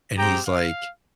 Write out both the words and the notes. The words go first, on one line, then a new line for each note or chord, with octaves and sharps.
and he's like,
G#3 C4 G4 G5 A#5
F5